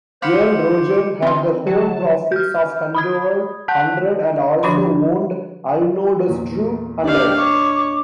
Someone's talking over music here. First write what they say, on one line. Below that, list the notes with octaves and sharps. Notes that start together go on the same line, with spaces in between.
Earl Roger had the whole profits of Condover hundred and also owned Alnodestreu hundred.
C5 F5 F#5 B5 D6 C#7
D3 E3 C4 D#4 F4
F#3 A5
F6 G6
B5 D#6 G#6
F#5 A5 F#6 G6 B6
D3 F3 D4 F#4 B5 C6
E2 A#2 A#3
D4 G4 D5 D#5 F5
C#5 D6